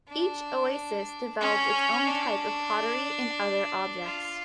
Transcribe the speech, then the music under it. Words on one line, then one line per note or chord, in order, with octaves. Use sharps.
Each oasis developed its own types of pottery and other objects.
D4
C#4
D4
F4